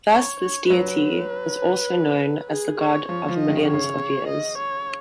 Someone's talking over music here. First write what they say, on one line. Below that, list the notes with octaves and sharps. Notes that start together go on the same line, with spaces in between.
Thus this deity is also known as the "god of millions of years".
C#5
C#5
F#3 B4
G#4
C#5
F3 C#5
F3
D#5
D#3
C#3
C#5
C#3
D#5
C#5